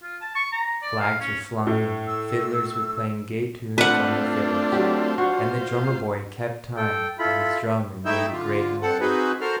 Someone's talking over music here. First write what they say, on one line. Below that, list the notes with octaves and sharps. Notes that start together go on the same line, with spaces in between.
Flags were flying, fiddlers were playing gay tunes on their fiddles, and the drummer boy kept time on his drum and made a great noise.
F4
A5
C#6
A#5
D5
F5
C#4
A2
E6
A3 C4 D4 F4 B4 F#5
F#3 G4
F4 F#4 C5
A4 G5
E4 F4 A4 B5
A3 D#4 E4 E5 G5
D3 F4
C4 A4 F#5
C4 D#4 F#4 G#4 B4
F#4 A4 A#4 C5 F6